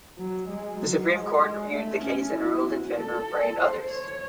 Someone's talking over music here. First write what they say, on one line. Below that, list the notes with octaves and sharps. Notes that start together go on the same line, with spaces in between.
The Supreme Court reviewed the case and ruled in favor of Bray and others.
F#3
G#3
F#3
G#3
G#3
A3
C#4
E4
F#4
A4
C5
C#5